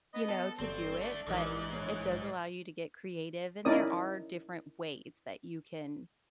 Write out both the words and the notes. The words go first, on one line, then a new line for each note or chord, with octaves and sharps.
you know, to do it, but it does allow you to get creative, and there are different ways that you can,
B3 D#5
A4
G1 F#3 C4 A4 D5
A3 D4
A#1 G#2 E3 D#4 G4 A#4 F#6
E4 A#4 C#5
C#4 D#4 E4 A#4 D5 D#6